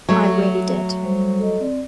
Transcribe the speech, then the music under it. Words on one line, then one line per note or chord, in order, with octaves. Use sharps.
I really did.
F#3 A3
G3 C5
A4 D#5
C4 D5